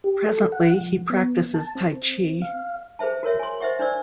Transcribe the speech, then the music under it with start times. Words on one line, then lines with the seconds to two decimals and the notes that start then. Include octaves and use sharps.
Presently, he practices Taichi.
0.04 G4
0.26 A4
0.52 F#5
0.81 F3
1.10 B3
1.54 A5
1.75 C4
2.42 F5
2.99 G#4 B4 C5 E5 A5
3.23 F#4 A#4 C#5 E5
3.39 G#5 C6
3.60 C5 D#5 E5 F#5 C#6
3.79 D4 C5 D5 E6